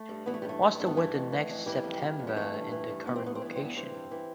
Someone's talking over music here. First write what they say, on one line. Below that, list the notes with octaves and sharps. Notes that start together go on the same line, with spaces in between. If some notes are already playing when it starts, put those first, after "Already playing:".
What's the weather next september in the current location?
Already playing: A3
G2
E3 B3
A3
G3
G2 A3
E3
G2
B3
E3 A3
F2
E3
F2
E3 G3
F2
E3
F2
G3
E3 A3
G2
E3
G2
E3 B3
C4
G2 B3
C4
E3 B3
G2 C4
B3
E3 C4
G2
E3